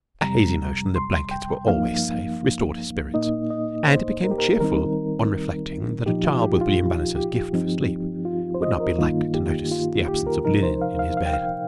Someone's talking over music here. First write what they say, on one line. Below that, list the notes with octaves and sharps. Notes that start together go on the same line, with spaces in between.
A hazy notion that blankets were always safe restored his spirits, and he became cheerful on reflecting that a child with William Bannister's gift for sleep would not be likely to notice the absence of linen in his bed.
F2 C3 G3 A#5
C6
G5
G2 F3 A#3 D#4 F5
A#2 A#3 D#4 D#5
D#5
C5
A#4
G4
A#4
D#3 G3 C4 D#4 A#4
A#2 F3 D#4 G4
F4
G4
F4
G4
G2 F3 C4 D#4
F4
C5
D#5
A#4
G2 D#3 A#3 D#4 F4
G4
F4
G4
A#4
C3 F3 D#4 A#4
C5
F5
F5
F5
G5
F5